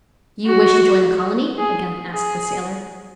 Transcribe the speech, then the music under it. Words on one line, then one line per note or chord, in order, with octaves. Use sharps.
"You wish to join the colony?" again asked the sailor.
F#4
G#4
G#4